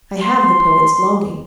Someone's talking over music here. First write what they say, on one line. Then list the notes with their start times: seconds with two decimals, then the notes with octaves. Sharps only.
I have the poet's longing.
0.22 C6